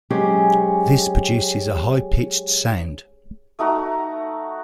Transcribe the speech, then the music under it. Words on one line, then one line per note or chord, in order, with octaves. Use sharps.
This produces a high pitched sound.
F#3 G#3 C4 C#4 G4 G#4
A3 D#4 F#4 A#5